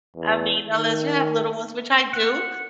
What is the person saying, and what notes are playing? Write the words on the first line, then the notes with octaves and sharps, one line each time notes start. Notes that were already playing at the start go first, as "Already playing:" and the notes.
I mean, unless you have little ones, which I do,
E2
D#3
F#5